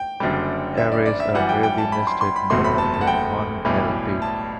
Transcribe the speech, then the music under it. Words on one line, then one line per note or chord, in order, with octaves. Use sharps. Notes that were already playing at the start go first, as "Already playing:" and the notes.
Arrays are rarely nested more than one level deep.
Already playing: G5
F#1 F#2 D3 G3
E5
D5
D5
E5
F#2 E3 G3 F#5
G5
G5
A5
B5
C6
C6
B5
F#1 E2 C3 F#3 A3 C6
B5
A5
A5
F#5
G5
B1 A2 E3 G3
A5